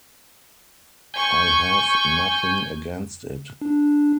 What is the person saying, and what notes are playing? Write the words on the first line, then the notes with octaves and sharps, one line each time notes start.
I have nothing against it.
G#5 C#6 G6
D4